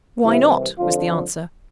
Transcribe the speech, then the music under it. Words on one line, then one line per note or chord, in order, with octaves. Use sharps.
"Why not?" was the answer.
C2 C3 E3 E4
F2 D3 F3 F4